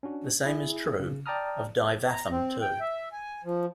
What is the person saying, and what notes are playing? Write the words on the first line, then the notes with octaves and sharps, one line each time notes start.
The same is true of Daivatham too.
C#4 D4 F#4
E4 G#4 G#5
C#3
D5 G5 A5 A#5 D#6 F6
A#5
C4
G5
E5
G#5
F3